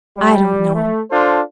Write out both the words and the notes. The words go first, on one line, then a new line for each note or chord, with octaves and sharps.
I don't know.
G3
A3
D4 F4 A4 C5